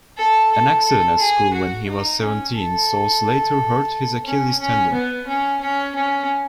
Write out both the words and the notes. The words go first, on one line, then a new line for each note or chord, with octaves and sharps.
An accident at school when he was seventeen saw Slater hurt his Achilles tendon.
A4
A4
A4
G#4
F#4
D#4
C#4
A4
C#4
C#4
B3
C#4
C#4
C#4